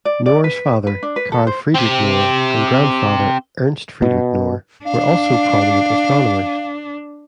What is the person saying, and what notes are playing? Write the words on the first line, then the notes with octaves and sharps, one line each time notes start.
Knorre's father, Karl Friedrich Knorre, and grandfather, Ernst Friedrich Knorre, were also prominent astronomers.
D5
D5
B4
B4
D4
B4
A4
C5
C4 G4
B2
D4 F5